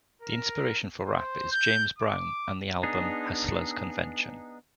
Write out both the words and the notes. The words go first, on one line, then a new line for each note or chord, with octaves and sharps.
The inspiration for rap is James Brown and the album "Hustler's Convention".
A#4
C5
G6
D6
B3 D4 D#4 G#4